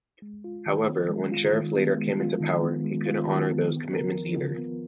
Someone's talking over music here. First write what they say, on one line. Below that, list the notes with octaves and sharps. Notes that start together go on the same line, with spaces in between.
However, when Sharif later came into power, he couldn't honour those commitments either.
G#3
F4
D#3
B3
G#3
F4
D#3
B3
G#3
F4
D#3
B3
G#3
F4
D#3
B3
B3
A#4
F3
F4
B3